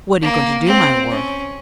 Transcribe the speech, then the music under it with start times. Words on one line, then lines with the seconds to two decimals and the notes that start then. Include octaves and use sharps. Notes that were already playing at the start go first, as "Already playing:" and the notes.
"What are you going to do, my lord?"
0.22 A#3
0.66 C4
1.10 C#4